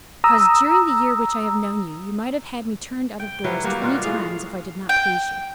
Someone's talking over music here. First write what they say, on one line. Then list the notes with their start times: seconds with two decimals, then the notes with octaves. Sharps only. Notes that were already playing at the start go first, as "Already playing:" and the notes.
"Because during the year which I have known you, you might have had me turned out of doors twenty times if I did not please you."
0.24 A#5 D#6 E6
3.20 G5
3.44 F#3 G3 E4 B4
3.64 G3 A#3 F#4 G4
3.82 B2 F4 F#4
4.03 A2 G#4 F5
4.89 G5